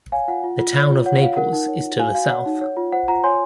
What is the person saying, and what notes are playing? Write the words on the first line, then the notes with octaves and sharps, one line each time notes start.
The Town of Naples is to the south.
C#5 F5 G#5
F4 F#5
F4
F4
C#5
F4
C#5 F#5
F4 F5
A#4 F#5
D#4
C#5
F4
F#4 F5 G#5
F#4 F5
C#5 F#5
D#4
C#5
F4
C5 F#5
F4 F#5 A#5
C#5 G#5 C6